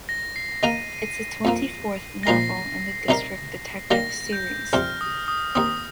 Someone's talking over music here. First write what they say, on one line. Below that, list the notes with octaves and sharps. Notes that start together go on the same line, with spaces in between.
It’s the twenty-fourth novel in the District detective series.
A#6
C7
D#3 A#3 D#4 A#4 D#7
F2 F3 A#3
A#6
A#2 F3 D#4 A#4 C7
C3 G3 D#4 G4 A#4
D#3 G3 A#3 G4 A#4 A#6
G6
F2 C3 G3 C4 G4 F6
D#6
D#6
D#2 D#3 C4 D#6